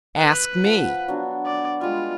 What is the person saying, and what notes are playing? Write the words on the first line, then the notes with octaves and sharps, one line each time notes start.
"Ask me!"
B4
F3 F5 F#5
F#3 B3 D4
D5
G3 G#3 F4